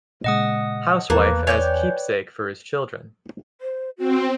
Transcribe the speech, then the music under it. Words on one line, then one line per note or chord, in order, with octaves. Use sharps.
Housewife as keepsake for his children.
A#2 C#3 G#3 D#5 F#5 D#6
E2 F3 A#3 A#4 B4 A5
C#5 D5 G5 G#5 G6
C5
C4 F#4